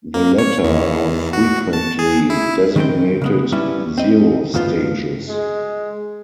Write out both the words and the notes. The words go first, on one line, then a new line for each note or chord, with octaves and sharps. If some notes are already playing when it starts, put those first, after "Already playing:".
The latter are frequently designated "zero stages".
A#3
C#5
E2
F#4
A5
G#4
E4
D#3 C4 G5
C#3 G#3 B3
G3 B3 C#4 E4
C4 D#5
D2 G2 F3 B3 F4
G#3